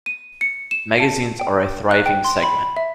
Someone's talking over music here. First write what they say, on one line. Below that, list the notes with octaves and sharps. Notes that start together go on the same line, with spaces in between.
Magazines are a thriving segment.
D#7
C#7
E7
A5
G5
F#6
G5
C6
B5
E5